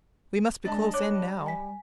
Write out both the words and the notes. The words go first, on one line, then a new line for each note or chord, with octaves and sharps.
We must be close in now!
G#3 D4 D#5 A5 A6
G3 C#5 D6 F#6
G#5 B6